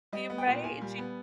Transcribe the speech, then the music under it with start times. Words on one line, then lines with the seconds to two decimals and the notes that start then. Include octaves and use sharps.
e right, she
0.13 G3 D#5
0.30 B3
0.38 G5
0.47 A#2
0.64 A#2 G#5
0.82 G3
0.98 B3